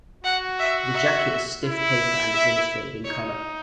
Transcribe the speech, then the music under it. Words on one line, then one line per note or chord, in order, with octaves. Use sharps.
The jacket is stiff paper and is illustrated in color.
F#4 F#5
E5
E5
E4
E5
D#4 C#5